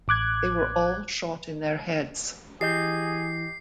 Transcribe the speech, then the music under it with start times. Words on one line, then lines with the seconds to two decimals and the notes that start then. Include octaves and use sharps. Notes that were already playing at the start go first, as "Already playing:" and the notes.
They were all shot in their heads.
0.08 A1 D6 F#6 G#6
2.61 E3 G4 G#4 D#5 G6 C7